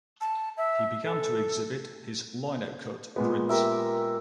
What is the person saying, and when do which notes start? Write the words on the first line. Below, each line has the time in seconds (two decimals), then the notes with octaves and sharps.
He began to exhibit his linocut prints.
0.20 A5
0.57 E5
1.03 A4
3.16 A#2 G#3 B3
3.49 G4 A#4 E5